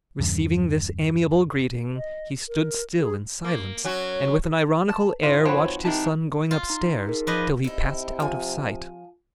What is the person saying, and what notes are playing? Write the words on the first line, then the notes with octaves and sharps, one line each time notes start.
Receiving this amiable greeting, he stood still in silence and with an ironical air watched his son going upstairs, till he passed out of sight.
E2 G2 C#3
D#5
A#4
G#4
A#3
F#3 C#4 F#4
A5
G#2 F4 D5 F#5
F3 C4 F#4 B4 C#5
D#3 D#4 E4 G4 A5
F4
D#4 A#5
D#4 G#4 A#4
F3 D#4 B4 D#5 D6 G6
C3 D#4 E4
F3 G#5